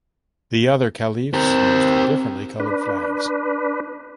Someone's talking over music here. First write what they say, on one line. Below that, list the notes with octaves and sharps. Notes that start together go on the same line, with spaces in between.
The other caliphs used differently colored flags.
C4 G4 A#4
D4 B4